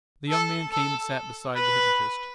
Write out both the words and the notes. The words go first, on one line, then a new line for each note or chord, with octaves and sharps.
The young man came and sat beside the hypnotist.
A4
A4
B4